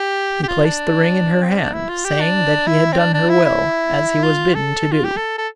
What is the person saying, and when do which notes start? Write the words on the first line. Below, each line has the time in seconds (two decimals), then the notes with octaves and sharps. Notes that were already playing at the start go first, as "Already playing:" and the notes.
He placed the ring in her hand, saying that he had done her will, as he was bidden to do.
Already playing: G4
0.43 G4
0.48 F4
0.64 D4
1.42 C4
1.57 D4
1.73 E4
1.89 F4
2.04 G4
2.21 D4
2.67 E4
2.92 C4
2.98 D4
3.14 D4
3.29 E4
3.45 E4
4.23 F4
4.54 A4
4.92 F4
5.04 G4
5.17 A4
5.38 A4